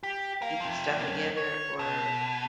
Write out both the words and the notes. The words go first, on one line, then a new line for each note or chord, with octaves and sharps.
"Get your stuff together or
G4
A#4 F5
C3 F3
A#3 C#4
C#5
B2